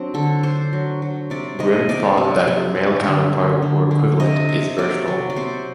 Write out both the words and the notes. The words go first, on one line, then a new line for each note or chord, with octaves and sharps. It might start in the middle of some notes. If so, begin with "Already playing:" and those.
Grimm thought that her male counterpart or equivalent is Berchtold.
Already playing: F#3 C4 D4
D3 A4
D4 C5
F#3
F#3
C3 D5
C3 D#5
C3 D5
C3
C3
C3
D3
D3
D3
D3
C3 D#5
C3
F#3 D5
F#3
D5
C3 C5